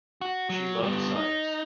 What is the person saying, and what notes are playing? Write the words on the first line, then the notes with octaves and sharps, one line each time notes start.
She loved science.
F#4
F#3
G3 B3
D#4